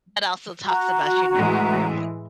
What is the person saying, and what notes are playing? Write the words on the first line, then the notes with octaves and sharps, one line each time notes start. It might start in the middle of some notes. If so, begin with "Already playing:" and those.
but also talks about your new career move.
F#4 A#5
A2 E3 G#3